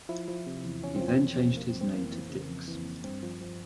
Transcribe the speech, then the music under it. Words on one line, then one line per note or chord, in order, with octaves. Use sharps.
He then changed his name to Dix.
F3 E4
F3
C3
E2
E2 C#4
C4
F3
C4
E2
C3
F2 A#3
C4
F2
C4
E3 A#3
E3
C#3
F2
E3
F2
G2 C4
F3
F3